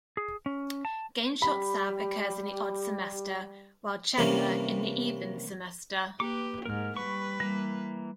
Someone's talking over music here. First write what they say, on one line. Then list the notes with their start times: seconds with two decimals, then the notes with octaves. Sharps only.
Ganeshotsav occurs in the odd semester while Chetna in the even semester.
0.17 G#4
0.46 C#4
0.85 A5
1.42 G3 G4 B5
4.18 C3 E3 G3 A#3 C#4
6.20 A#3 G4 B4 D6
6.65 G#2 A#4 F6
6.96 G3 B4 C#6
7.40 E3 G3 A#3